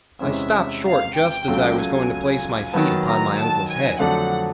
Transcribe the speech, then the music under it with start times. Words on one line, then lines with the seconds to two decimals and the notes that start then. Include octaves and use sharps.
I stopped short just as I was going to place my feet upon my uncle's head.
0.20 E2 C3 E3 G#3 C#4 E5
0.85 F5
1.15 G5
1.48 C#2 C#3 F#3 A3
1.79 G#5
2.73 D#3 F#3 B3 A5
3.05 A#5
3.37 A5
3.68 G#5
3.99 F2 D3 F#3 A3 D4 F#5